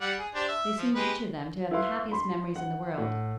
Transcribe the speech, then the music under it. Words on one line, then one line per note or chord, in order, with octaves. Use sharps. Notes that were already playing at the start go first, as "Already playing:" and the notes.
They seemed each of them to have the happiest memories in the world.
G3 F#5
G#4
D4 G4 C5
E5
F3
G#3 G4 B4
E4 B4 F5 C6
B5 C6
F#5
A2 F#5